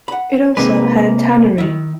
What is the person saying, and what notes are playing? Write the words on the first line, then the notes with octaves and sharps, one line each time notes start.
It also had a tannery.
F#5 B5
C3 G#3 A#3 C4 D#4 B4
D#3 E4